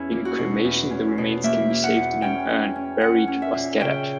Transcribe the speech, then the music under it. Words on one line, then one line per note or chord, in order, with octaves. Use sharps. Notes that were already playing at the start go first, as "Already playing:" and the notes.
In cremation, the remains can be saved in an urn, buried, or scattered.
Already playing: E2 C#4 E4
A#3
F#4
B2
E2
C#4
B2
A#3 E5
A#3
F#5
E2
C#4 G5
C#4
C#4
C#4 F#5
C#4
E5
A#2
C#3 G5